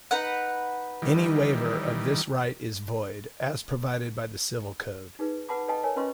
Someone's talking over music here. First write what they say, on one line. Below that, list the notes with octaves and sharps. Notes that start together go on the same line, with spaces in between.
Any waiver of this right is void, as provided by the Civil Code.
D#4 B4 F#5
D#3 E3 G3
D#4 G#4 B4
B4 F#5 A5 B5 D6
A4 B4 D#5 G5 A5
A#4 C#5 G#5
C#4 F4 B4 D#5 C6 C#6